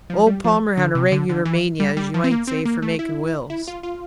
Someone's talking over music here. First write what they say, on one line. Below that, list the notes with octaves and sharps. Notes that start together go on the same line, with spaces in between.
Old Palmer had a regular mania, as ye might say, for makin' wills.
F3
G3
F3
D3
C3
D3
D3
E3
G3
G3
F3
C4
A#3
C4
A#3
A3
E4
E4
F4
F4